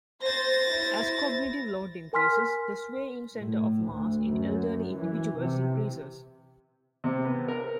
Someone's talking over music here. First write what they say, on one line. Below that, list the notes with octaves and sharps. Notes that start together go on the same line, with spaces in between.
As cognitive load increases, the sway in center of mass in elderly individuals increases.
C5 A6 A#6
E4 C5
A#4 G#5 C6 F6 B6
A2
D2
F#2
E3
C3
C3
B3
A#4